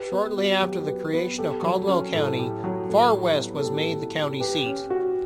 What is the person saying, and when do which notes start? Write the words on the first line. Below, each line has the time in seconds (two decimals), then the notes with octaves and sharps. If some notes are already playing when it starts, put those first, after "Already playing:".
Shortly after the creation of Caldwell County, Far West was made the county seat.
Already playing: G4 B4
0.12 B3
0.38 F#4
0.62 F#3 G4
0.88 B4
1.13 B3
1.38 G4 A4
1.63 F#3
1.88 C#4
2.13 A2 A4
2.39 G4
2.64 F#3
2.89 A2 A4
3.15 G3
3.39 B3
3.56 A4
3.64 A2 G4
3.90 A2
4.16 G3
4.40 G4 B4
4.66 C#4
4.90 F#4